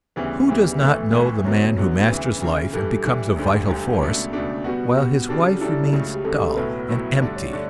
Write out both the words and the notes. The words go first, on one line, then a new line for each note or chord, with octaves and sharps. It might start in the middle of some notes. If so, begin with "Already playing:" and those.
Who does not know the man who masters life and becomes a vital force, while his wife remains dull and empty?
D2 C#3 E3 G3 B3 G4
D2 C#3 E3 G3 B3
A2 E3 A3 A4
A2 E3 A3
F#2 D3 F#3 B3 C#5
F#2 D3 F#3 B3
D2 C#3 E3 B4
D2 C#3 E3
G2 E3 G3 A4
G2 E3 G3
E1 D2 D3 G3
E1 D2 D3 G3
C#2 B2 A3 D4
C#2 B2 A3 D4
B2 G3 B3 F#4 G4
B2 G3 B3 F#4
C#3 G3 D4 F#4 A4
C#3 G3 D4 E4 A4
C#2 C#3 F#3 A3
G4
C#2 C#3 F#3 A3 A4
B1 A2 F#3 B3 E4 B4
B1 A2 F#3 B3 E4
G2 D3 A3 D4 D5
C#5
D3 A3 D4 D5